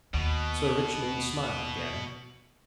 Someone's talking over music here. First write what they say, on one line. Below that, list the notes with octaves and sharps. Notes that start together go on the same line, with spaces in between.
Sir Richmond smiled again.
D#2 B2